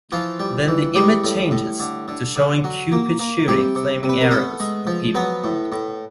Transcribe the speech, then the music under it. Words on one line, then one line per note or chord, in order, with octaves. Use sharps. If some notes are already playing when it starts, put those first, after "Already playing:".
Then the image changes to showing cupid shooting flaming arrows at people.
E3 F3 F4
G3
E3
G3 G#3 G4
A2
A2
D3
D3
D3
F#3
A#3
A#3
C3 G3 G4
C3
C3
B4
A#4
A3 B3 A4
G#3
F3
F#3 B3 B4
A2
A2